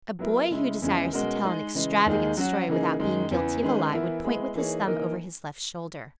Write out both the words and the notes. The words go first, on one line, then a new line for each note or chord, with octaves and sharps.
A boy who desires to tell an extravagant story without being guilty of a lie would point with his thumb over his left shoulder.
F#3 B3 E4 A#4
C#3 G#3 C#4 E4
E2 C#3 G#3 C#4 E4
B2 G#3 C#4 F#4 A#4
G#3 D#4 G#4 D#5
C#3 E3 G#3
D#2 D#3 G#3 D#4 G#4
F#3 C#4 F#4
C#3 E3 A#3 D#4 G#4
F#2 D#3 G#3
E2 C#3 E3 B3
D#3 G#3 C#4 G#4 B4
E3 B3 E4 A#4
G#3 B3 E4 G#4
E3 A#3 D#4 G#4 C#5
E3 A#3 D#4 A#4 D#5